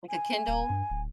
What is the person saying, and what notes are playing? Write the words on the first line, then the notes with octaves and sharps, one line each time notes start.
Like a Kindle?
G#5
D#1
G2
D1